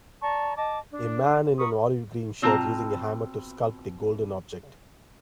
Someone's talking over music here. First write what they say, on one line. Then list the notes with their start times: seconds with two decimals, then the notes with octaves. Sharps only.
A man in an olive green shirt using a hammer to sculpt a golden object.
0.22 D5 A5 A#5 C#6
0.56 D#5 A5 D6
0.92 D4
1.58 A#4 B5 C#6 D#6
2.42 B2 C4 F4 A5 A#5